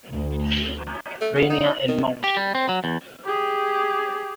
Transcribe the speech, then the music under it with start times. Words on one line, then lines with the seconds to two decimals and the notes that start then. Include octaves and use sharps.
Rainier and Mt.
0.11 D2
1.21 A3
1.35 C#3
1.50 D#4
1.88 D#3
2.24 G4
2.37 G3
2.55 C4
2.69 F#3
2.84 E2
3.25 G4 G#4